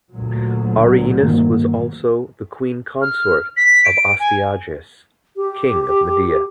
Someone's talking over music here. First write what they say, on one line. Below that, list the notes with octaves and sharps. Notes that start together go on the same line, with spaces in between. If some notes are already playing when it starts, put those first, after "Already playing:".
Aryenis was also the Queen consort of Astyages, King of Media.
D2 A#2 F#3
G2 D#3 A#3
F6
B6
D7
G#5
G4